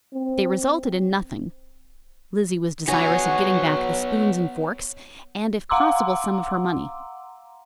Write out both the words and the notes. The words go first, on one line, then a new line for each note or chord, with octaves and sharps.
They resulted in nothing. Lizzie was desirous of getting back the spoons and forks, and, if possible, some of her money.
C4
B3 F#4 G#4 C#5 A#5
F5 F#5 A#5 C6 D6 E6